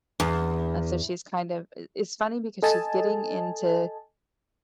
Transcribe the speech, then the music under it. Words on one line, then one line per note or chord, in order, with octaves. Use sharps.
and so she's kind of i it's funny because she's getting into
E2
A4 D#5 G#5 A5